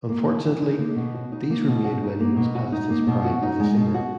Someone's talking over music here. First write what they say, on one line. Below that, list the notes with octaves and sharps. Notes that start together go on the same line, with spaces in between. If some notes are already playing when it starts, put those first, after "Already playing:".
Unfortunately, these were made when he was past his prime as a singer.
A#3
E3
E3
D#4
A#3
B2
F#4
D#4
A#3
B2
F#4
D#4
A#3
B2
F#4
D#4
A#3
B2
F#4
D#4
G#3
B2
F#4